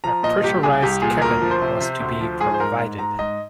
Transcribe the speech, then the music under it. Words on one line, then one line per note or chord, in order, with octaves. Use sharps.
A pressurized cabin was to be provided.
F3 A#5
A#2 D#5
C2 G4
C2 G#4
C2 G4
A#2 G#4
D2 A#4
F3
C5
C3
C3
D2
F3
G#2 G#4
C5
G#2 A#4
G#2
G#2 A#5
G#2 D#5